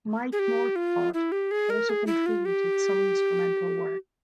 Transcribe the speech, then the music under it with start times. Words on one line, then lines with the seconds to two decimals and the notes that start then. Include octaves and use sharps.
Mike Northcott also contributed some instrumental work.
0.32 G#4
0.39 G4
0.76 F4
1.14 E4
1.32 G4
1.51 G#4
1.70 A#4
1.89 G#4
2.07 E4
2.26 F4
2.45 G4